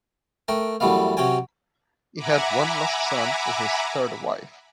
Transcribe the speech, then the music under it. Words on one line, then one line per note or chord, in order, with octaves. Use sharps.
He had one last son with his third wife.
A3 A#4 G5
F#2 E3 G3 A3 B3 F5
C3 F#3 C#4 G5 G#5
E5 F#5 G#5 A#5 B5 D6